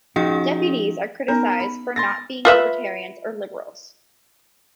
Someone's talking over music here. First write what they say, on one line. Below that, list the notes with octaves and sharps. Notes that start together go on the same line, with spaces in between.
Deputies are criticized for not being libertarians or liberals.
F3 C#4 D#4 F#4 G#4 G5
B3 C#4 D#4 A#4
B5
C6 A6 A#6
F4 B4 E5